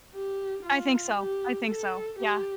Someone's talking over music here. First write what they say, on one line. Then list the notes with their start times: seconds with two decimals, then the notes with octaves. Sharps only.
I think so. I think so, yeah.
0.14 G4
0.66 F4
1.17 G4
1.67 A4
2.19 G4